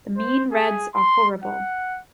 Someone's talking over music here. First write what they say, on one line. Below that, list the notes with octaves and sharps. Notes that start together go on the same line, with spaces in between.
The mean reds are horrible.
C5
G#4
C6
F#5